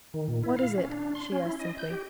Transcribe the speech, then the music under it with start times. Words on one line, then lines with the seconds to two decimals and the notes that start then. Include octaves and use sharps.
"What is it?" she asked simply.
0.14 D#3
0.28 A#2
0.43 E4
0.57 F5
0.78 C#4
0.90 D4
1.15 C6
1.32 C#4
1.46 E4
1.59 D#5
1.78 G6
1.90 G4